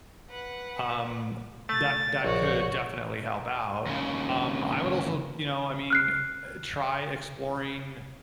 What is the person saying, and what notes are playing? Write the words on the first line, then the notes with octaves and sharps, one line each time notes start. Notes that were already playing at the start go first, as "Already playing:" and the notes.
um, that that could definitely help out, um, I would also you know, I mean, uh, try exploring
B4 F#5
A3 A6
A#1 F#4 C#5
D#2 C#3
F6 F#6 C7